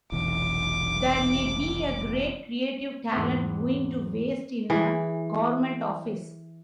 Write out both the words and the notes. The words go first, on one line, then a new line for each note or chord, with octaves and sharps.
There may be a great creative talent going to waste in a government office.
F1 B1 E3 D6
E2 G#2 B3 C4
E3 G#4